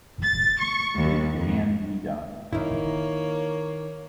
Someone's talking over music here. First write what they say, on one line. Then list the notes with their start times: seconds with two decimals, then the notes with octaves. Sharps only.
It can be done.
0.22 A6
0.60 C#6
0.95 D#2
1.32 F2
2.53 D#3 A#3 E4 C#5